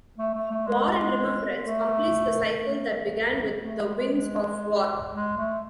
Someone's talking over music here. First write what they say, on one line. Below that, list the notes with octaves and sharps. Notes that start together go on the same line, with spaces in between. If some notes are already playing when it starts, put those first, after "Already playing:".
"War and Remembrance" completes the cycle that began with "The Winds of War".
A3
A3
A3
G#3
A3
A3
A3
G#3
G#3
G#3
A3